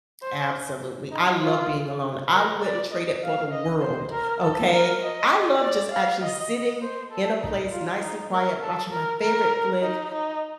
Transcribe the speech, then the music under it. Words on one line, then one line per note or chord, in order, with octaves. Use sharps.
Absolutely. I love being alone. I wouldn't trade it for the world, okay? I love just actually sitting in a place nice and quiet, watching my favorite flick,
C5
D#4
F4
A#4
D5
D#5
F5
D#5
C5
A#4
A4
A#4
D#5
D5
F5
D#5
C5
A4
D#4
F4
D#4
A#4
A4
A#4
A#4
D#4
D#4